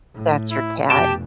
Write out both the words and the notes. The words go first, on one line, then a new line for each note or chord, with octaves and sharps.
That's your cat."
A2
E4
F1 B2 G4 G5 A5